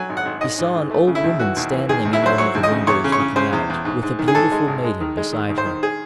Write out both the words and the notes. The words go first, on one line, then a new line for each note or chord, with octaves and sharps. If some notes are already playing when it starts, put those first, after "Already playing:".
He saw an Old Woman standing in one of the windows looking out, with a beautiful Maiden beside her.
Already playing: F#3 G#5
G#1
F#5
G#1
G#2 D#5
G#2
G#2
A3
C#3
E4
D#2
E3 F#4
D#2
E3
D#2 G#4
D#2
E4
F#3 C5
F#3 C#5
D#2
D#5
C#3
E2 C#5
C#3
C#5
C#3
C#3 C5
E2
E2
G#2
G#2
D#3
G#4
G#2 A4
G#3
G#1
G#3
D#3
G#3
D#3
D#2
C5
D#3
G#4